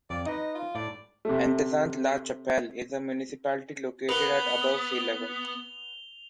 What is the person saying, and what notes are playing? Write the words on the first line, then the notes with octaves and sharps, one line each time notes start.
Antezant-la-Chapelle is a municipality located at above sea level.
F2 D5
D#4 B4 D#5
F4
A2 D5
C3 A3
B3 A#4 B4 F#5 F7 G7